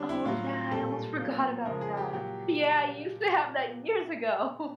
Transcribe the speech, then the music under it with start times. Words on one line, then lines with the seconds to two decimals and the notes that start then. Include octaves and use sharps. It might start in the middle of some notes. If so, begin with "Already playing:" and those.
Oh, yeah, I almost forgot about that. Yeah, I used to have that years ago.
Already playing: D3 G3 C#4 D4
0.09 E4
0.25 A2 F#3 F4
0.71 A#2 G3 A4
1.19 A#2 F#3
1.65 C#3 F3 G#3 A#4
1.81 G#4
1.97 G4
2.13 A#2 F#3 G4